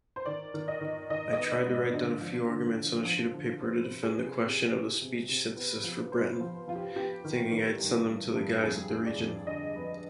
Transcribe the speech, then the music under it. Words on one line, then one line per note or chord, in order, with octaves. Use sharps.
I tried to write down a few arguments on a sheet of paper to defend the question of the speech synthesis for Breton, thinking I’d send them to the guys at the Region.
C5
D#3 D5
D#3
D#5
D#3
D#3 D#5
B3 D#5
D5
G#2
D3
F3
D3
D3
F3
D3
B3 C5
C3
G#4
C3
C3
C3
C3
C3
B3
F3
B3 C5
F3
F3 F4
G4
B3 G4
D#3
D#3
G2
G2
G2
F2 G#4
G#3
D5
F2
D3 D#5
F2 B4